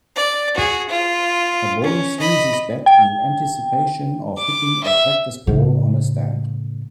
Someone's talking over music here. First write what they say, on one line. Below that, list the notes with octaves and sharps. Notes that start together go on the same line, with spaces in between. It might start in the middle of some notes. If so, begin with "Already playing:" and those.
A boy swings his bat in anticipation of hitting a practice ball on a stand.
D5
F#4 G#4
F4
C#4
D#5 B5
G5
D6
E5
A2 C#3